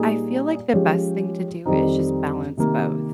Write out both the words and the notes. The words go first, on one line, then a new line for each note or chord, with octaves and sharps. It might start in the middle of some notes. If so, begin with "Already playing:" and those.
I feel like the best thing to do is just balance both.
Already playing: A#2 G3 A#3 D#4 G#4
F3 G#3 C#4 G4
F2 D#3 G3 C4 D#4
C3 D#3 A#3